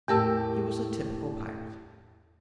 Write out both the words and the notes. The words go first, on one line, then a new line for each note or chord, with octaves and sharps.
He was a typical pirate.
E2 A2 G4 A#4 A5 E6